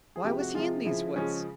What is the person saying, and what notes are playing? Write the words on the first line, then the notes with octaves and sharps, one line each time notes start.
Why was he in these woods?
G#4
C3 F3 G#3 G4
F#4
C3 F3 G#3 F4
C#3 F3 G#3 E4
C#3 F3 G#3 C#4